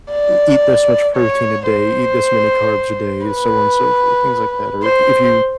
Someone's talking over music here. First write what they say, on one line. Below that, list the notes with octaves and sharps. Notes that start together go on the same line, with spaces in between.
e eat this much protein a day, eat this many carbs a day, so on so forth," things like that, or if you
D5
C#5
C5
B4
C5